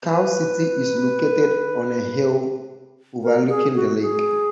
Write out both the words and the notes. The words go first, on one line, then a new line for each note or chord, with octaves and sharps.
Kaw City is located on a hill overlooking the lake.
B4
A#4
G#4
F#4
G#4